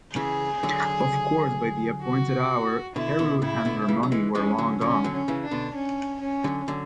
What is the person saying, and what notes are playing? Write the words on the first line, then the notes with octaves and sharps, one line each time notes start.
Of course by the appointed hour Carew and her money were long gone.
C#3 E3 G#4
D3 F#3
F#4
B2 D3 E4
B2 D3
A2 C#3 E4
B2 D3
C#3 E3
F#3
E3 G#3
E3 G#3 C#4
D3 F#3
D3 F#3 C#4
D3 F#3
C#4
C#3 E3
D4
B2 D3
C#4
C#4
D3 F#3
D3 F#3